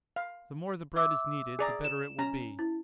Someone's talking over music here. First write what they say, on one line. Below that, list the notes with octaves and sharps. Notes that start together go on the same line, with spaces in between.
The more the bread is kneaded, the better it will be.
F5
E5 D6 E6
G#4 D5 A#5
E7
C#4 A#5
E4